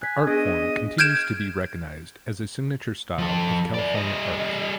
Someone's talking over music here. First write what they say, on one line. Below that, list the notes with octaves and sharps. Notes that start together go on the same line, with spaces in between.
The art form continues to be recognized as a signature style of California art.
G#5 F#6 B6
B3 D4 G#4 D#5
F6 G6 G#6 D7 E7
F3 A4
E4 D5
G3 D#5